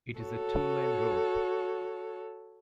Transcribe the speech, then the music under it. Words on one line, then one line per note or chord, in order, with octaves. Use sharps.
It is a two-lane road.
F#4 A4 C#5